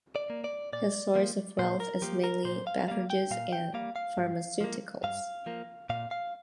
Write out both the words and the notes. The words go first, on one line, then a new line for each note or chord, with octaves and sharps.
His source of wealth is mainly beverages and pharmaceuticals.
D5
A#3
D5
A#2 D5
F3 A#3
A#2 C5
A#4
F3 A#3 G4
A#4
A#2 C5
F5
G3 A#3 F5
G5
A#2 F5
G5
G3 A#3 F5
F5
G2
F3 A#3
G2 F5
F3 A#3
A#2 F5
F5